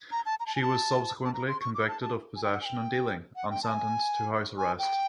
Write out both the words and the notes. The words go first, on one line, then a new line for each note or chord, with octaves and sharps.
She was subsequently convicted of possession and dealing and sentenced to house arrest.
A#5
A5
A#5
A5
G#5
A5
A5
A#5
C6
C#6
D6
A5
A5
G#5
G5
F#5
G#5
G5
F#5
G5
A5
G#5
G#5
G5